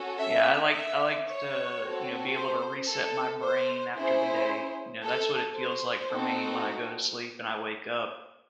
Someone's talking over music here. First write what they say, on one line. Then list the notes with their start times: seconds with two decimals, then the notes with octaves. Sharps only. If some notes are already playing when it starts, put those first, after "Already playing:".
Yeah. I like I like to, you know, be able to reset my brain after the day. You know, that's what it feels like for me when I go to sleep and I wake up.
Already playing: C#4 F#4 A4
0.20 E5
0.74 E5
1.27 C#5
1.81 C4 F#4 A4
2.34 C5
2.89 A4
3.42 C5
3.96 C#4 E4 G#4 C5
5.04 A4
5.56 C5
6.11 C4 D#4 F#4 A4